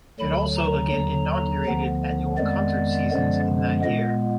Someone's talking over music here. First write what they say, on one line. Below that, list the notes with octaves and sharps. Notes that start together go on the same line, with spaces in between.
It also again inaugurated annual concert seasons in that year.
D2 D3 F#3 B5
A#5
D#2 D3 F#3
D2 D3 F3 B3
F2 D#3 G#3 B3 D5
F#2 D3 F3 G#3 B3
A#2 G#3 B3 D#5